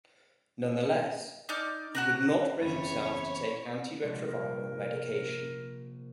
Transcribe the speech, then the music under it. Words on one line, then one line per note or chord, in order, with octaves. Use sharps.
Nonetheless, he could not bring himself to take antiretroviral medication.
D#4 D5 F6
F#4 F#5 A#5
F#1 E2 C4 C#5 B5 A6 D#7
A#1 C3 G#3
A#4